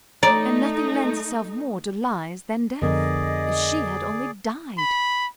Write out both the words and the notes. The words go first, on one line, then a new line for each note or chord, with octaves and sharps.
And nothing lends itself more to lies than death. If she had only died!
A3 D#4 D5 A#5
F2 D3 B3 G#4 A#4 D5 D#5
B5